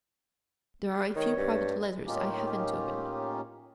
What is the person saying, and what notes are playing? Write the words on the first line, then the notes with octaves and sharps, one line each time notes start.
There are a few private letters I haven't opened.
D#3 C#5
G2
A2 A#3 C#4 D#4 F4 G4